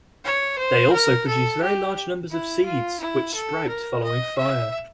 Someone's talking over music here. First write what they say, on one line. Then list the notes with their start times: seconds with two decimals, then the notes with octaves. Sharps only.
They also produce very large numbers of seeds, which sprout following fire.
0.24 C#5
0.58 C5
0.93 A#4
1.27 A4
1.62 G4
2.31 E4
2.65 F4
3.00 E4
3.34 A4
3.69 A#4
4.03 D#5
4.37 E5